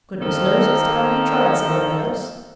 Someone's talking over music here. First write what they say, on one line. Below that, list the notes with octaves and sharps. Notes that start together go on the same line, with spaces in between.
Goodness knows it's time he tried somebody else.
D#3 F3 A4 A#4 C5